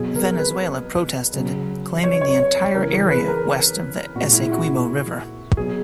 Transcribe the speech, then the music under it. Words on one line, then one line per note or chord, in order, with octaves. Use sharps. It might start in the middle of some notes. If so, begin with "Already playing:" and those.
Venezuela protested, claiming the entire area west of the Essequibo River.
Already playing: B2 F#3 G#4
A#4
B4
C#3 F#3
C#5
C#5
C#5
C#5
C#3 E3 G#3 A#4
G#4
B4
A#4
A#2 G#3 F#4
E4
F#4
B2 F#3 G#4